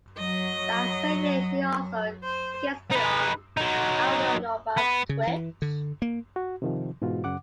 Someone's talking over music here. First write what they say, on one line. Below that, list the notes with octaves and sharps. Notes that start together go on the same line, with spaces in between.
That same year, she also guested on Aldo Nova's "Twitch".
F#3 D#5
C5
D#4 B4
F#3 D#4
B3
C#3
E3
D3
A#3
F#4
C3 D#3 F3
G#2 B2 E3 F4 F#4
F#2 C#3 F#5 D6